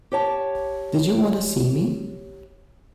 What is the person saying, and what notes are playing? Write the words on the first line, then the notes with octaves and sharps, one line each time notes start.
Did you want to see me?
G4 C#5 A5